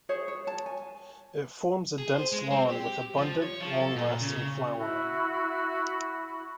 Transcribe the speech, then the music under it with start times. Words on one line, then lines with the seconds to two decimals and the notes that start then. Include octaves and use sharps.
It forms a dense lawn with abundant, long-lasting flowering.
0.09 G#4 C5 C#5
0.28 C#5
0.47 A5
0.66 G#5
1.99 G#4
2.14 C5
2.32 G#3
2.50 C4
2.69 G4
3.17 F3
3.42 C#5
3.60 F3
3.80 A4
3.96 A#2
4.20 C#3
4.75 E4 F#4